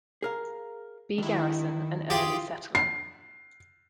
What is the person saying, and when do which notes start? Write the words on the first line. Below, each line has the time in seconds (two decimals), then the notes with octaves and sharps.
B. Garrison, an early settler.
0.22 G#4 A#4 F5
1.18 D#2 D#3 D4 E4
2.10 F4 G4 G#4 D5
2.75 C7